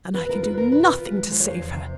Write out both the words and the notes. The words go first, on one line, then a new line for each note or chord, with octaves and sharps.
And I can do nothing to save her.
C4 B4
F4 A#4
B4
C4 A#4
B2 B4
F4
G#3
F3 C5
C#5
E2 C5
C3